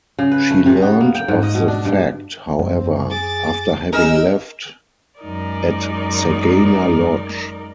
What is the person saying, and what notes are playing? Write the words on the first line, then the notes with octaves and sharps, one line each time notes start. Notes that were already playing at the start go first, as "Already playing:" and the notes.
She learned of the fact, however, after having left, at Sagana Lodge.
C#3
B4
A3
C3
B3
A#3
G5
G#2
D#5
B2
D4
G2
F#2 C4
G#4 D6 A6
D#4 G#4 A#4 E6
F#2 G#3 D#4 A#4 D5